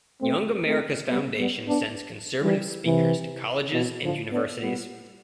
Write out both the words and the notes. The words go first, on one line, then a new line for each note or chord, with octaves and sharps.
Young America's Foundation sends conservative speakers to colleges and universities.
A3 C4
A3 C4
G3 B3
G3 B3
B3 D4
E3 G3
C3 E3
B2
D3 F3
B3 D4
G3 B3